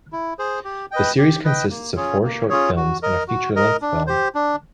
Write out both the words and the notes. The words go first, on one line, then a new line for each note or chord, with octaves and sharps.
The series consists of four short films and a feature-length film.
E4
G#4 C5
G4
B4 D#5 G5
G4
B4 D#5 G5
A#3
C#4 F4 G#4 C#5
A#3
C#4 F4 G#4 C#5
F#4
A#4 D#5
F#4
A#4 D#5
D4
G4 C5
D4